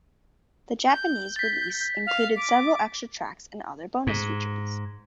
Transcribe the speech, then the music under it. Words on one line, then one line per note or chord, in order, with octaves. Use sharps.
The Japanese release included several extra tracks and other bonus features.
G6
A6 B6
F5
D6
G#2